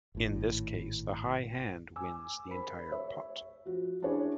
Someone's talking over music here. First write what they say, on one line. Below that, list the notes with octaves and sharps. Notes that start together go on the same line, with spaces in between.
In this case, the high hand wins the entire pot.
G#1 A2
G#5 D6 E6
A#4 C5 B5
C#5 E5
F3 F#4
C#4 D4 E4 G#4 C#5 D5